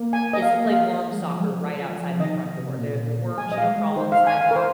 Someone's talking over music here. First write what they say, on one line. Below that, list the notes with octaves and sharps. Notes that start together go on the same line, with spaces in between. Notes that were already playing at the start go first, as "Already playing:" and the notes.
is to play worm soccer right outside my front door. The the worms, you know, crawl on the sidewalk,
Already playing: A#3
G#5
D#5
F5
F5
G#3
F3
G#3
F3
F3
D#3 D#5
C3
A#2
G#3 G#5
D#5
G#3 F5
G#3
D#3 C5
F5
G#5
F5
A#4
C5